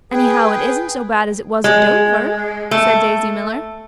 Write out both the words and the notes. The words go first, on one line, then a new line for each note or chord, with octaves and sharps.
"Anyhow, it isn't so bad as it was at Dover," said Daisy Miller.
G#4 B4 G5
G#3
A3